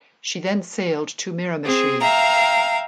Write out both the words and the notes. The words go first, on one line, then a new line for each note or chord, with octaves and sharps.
She then sailed to Miramichi.
C4 G#4
E5 F5 G5 A#5